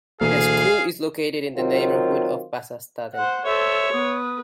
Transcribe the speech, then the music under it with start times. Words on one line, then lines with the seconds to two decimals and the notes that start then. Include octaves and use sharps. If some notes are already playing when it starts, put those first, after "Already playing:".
The school is located in the neighbourhood of Vasastaden.
0.21 D2 B2 E3 A#3 G#4 F5
1.56 D#3 F#3 C4 F4
3.15 C5 F#5
3.45 A4 C5 C#5 E5
3.93 B3 B4 D#6